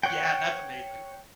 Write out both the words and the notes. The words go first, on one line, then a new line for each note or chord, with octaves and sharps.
Yeah, that's amazing.
C#5 F#5 G5